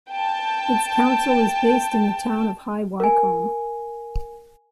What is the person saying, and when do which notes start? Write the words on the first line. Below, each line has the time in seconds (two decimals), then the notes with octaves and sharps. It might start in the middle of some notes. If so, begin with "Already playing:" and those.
Its council is based in the town of High Wycombe.
0.10 G5 A5
3.00 A#4 G#5